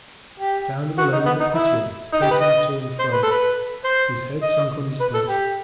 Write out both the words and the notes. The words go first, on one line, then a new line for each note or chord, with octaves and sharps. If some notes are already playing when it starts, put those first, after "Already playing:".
He found him alone in the patio, pacing to and fro, his head sunk on his breast.
G4
F#4
D#4
B3
D#4
E4
D#4
G4
B4
D#5
C5
B4
A4
B4
C5
D#5
B4
A4
G4